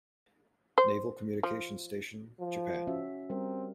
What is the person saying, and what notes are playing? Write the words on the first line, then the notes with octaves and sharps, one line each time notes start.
Naval Communications Station, Japan.
C5
F3
F3
C#4 F#4 E5
G3 C4 A#4